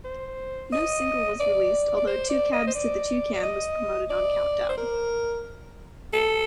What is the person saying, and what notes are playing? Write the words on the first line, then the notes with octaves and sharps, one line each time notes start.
No single was released, although "Two Cabs to the Toucan" was promoted on "Countdown".
C5
D#5
D5
D5
C5
D5
D#5
C5
D5
D5
D#5
D5
C5
A#4
A4